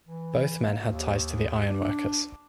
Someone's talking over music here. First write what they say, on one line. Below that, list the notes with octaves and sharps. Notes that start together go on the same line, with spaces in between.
Both men had ties to the Ironworkers.
E3
A#3
D#2
D4